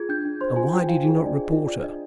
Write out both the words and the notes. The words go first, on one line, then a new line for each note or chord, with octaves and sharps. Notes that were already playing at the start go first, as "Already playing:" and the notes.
"And why did you not report her?"
Already playing: F4 G#4 G#6
D4 G6
D4
C5 C6
F4 G#5
F4 G5
F4 F5
G#4
D#5
D4 D5
G#4
D#5
F4
F4 D5
D4 D#5